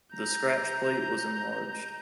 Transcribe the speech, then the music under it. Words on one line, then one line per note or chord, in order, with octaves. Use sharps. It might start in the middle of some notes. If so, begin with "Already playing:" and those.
The scratch plate was enlarged.
A#5 G6